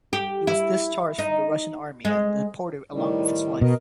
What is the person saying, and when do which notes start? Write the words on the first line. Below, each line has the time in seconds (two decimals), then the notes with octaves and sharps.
He was discharged from the Russian Army and deported along with his wife.
0.13 G4
0.47 E4
1.18 D#4
2.05 G#3
2.92 A2 D#3 G3
3.61 B2 A#4 D#5